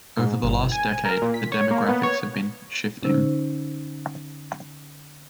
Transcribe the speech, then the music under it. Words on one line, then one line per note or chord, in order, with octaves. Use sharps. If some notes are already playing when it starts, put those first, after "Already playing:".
Over the last decade, the demographics have been shifting.
G#2
G1
G#5
A#4
A#2
B6
C#5
A#3
B3
C#5
D3 C#4 D#4 C5 E6